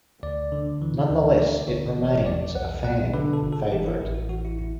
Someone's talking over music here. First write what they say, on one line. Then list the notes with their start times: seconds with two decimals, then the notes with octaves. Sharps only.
Nonetheless, it remains a fan favorite.
0.23 D2 D5
0.52 D3
0.82 E3
1.11 D2
1.39 D3 D5
1.68 G1 C#5
1.97 E3 D5
2.05 C#5
2.13 D5
2.26 E2 D5
2.55 B1 F#5
2.84 B2 F#5
3.14 D3 B4
3.33 A4
3.42 G1
3.52 A4
3.72 E3 G4
3.86 E4
4.01 A1 E4
4.15 F#4
4.29 E3 F#4
4.45 E4
4.59 E4